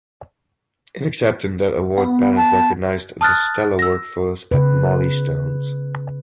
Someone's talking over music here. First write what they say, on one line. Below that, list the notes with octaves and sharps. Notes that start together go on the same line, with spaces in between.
In accepting that award Bennett recognized the stellar workforce at Mollie Stone’s.
B3
A5
A5 D#6 F6 F#6 A6
E6 A#6
C#3 B4